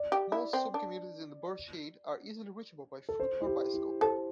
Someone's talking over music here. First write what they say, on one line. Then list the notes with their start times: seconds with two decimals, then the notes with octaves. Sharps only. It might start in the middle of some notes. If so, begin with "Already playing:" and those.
Most sub-communities in Burscheid are easily reachable by foot or bicycle.
Already playing: D5
0.12 G4
0.32 E4
0.53 C4
0.74 D4
3.09 A4
3.20 C5
3.42 E4
3.47 G4
3.74 E4
4.01 A4 C5